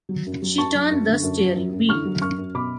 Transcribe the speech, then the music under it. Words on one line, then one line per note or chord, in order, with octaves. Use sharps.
She turned the steering wheel.
F#3
F#2
F#3
F#2 A5 C#6
F#3
F#2
D3
F#2
F#3
F#2
F#2
D3 C#6 F6
F#3
F#2 C#6 F6
F#2
B2 B5 D6